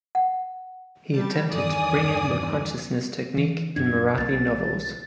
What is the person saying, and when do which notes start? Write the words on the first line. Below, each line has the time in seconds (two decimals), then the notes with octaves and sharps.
He attempted to bring in the consciousness technique in Marathi novels.
0.15 F#5
1.14 G3 A5
1.52 E2 G2 D#3 A4 D5 G#5 D#6
3.37 E3
3.76 D#1 F#2 D4 G#6
4.18 B1 A#3 A6